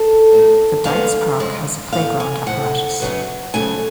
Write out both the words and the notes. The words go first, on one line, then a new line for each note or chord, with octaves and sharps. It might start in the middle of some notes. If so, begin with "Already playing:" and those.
The Dietz Park has a playground apparatus.
Already playing: A4
A2 F#3 A3
F2 D3 G#3 B3 F5
F2 C#3 G#3
A2 F3 B3 F5
G#5
A2 F3 A3 F#5
F#2 C#3 F#3 B3
F2 C#3 F#3 A3 G#5